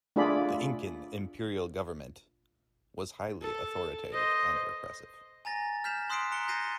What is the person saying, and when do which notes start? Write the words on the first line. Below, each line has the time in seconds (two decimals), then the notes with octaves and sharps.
The Incan imperial government was highly authoritative and repressive.
0.16 A3 D4 F4 G#4 D5 B5
3.42 A4
4.13 C5 D#5
5.45 G#5 A#5 A6 A#6
5.84 F6 G6 B6 E7 F7
6.10 C6 D#6 F#6 B6 C7 D7
6.32 A#5 F#6 C#7 G7
6.48 F#6 G6 A6 A#6 C7 D#7